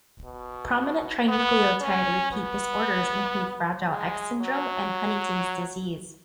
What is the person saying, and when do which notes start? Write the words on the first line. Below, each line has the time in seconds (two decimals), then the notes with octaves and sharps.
Prominent trinucleotide repeat disorders include Fragile X syndrome and Huntington's disease.
0.24 B2
1.28 B3
1.81 C#4
2.32 B3
3.88 G#3
4.41 F#3